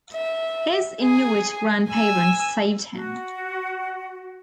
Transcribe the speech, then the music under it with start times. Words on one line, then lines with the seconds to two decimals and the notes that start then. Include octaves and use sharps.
His Inuit grandparents saved him.
0.13 E5
1.01 G#4 G#5
1.89 G#5 E6
2.92 F#4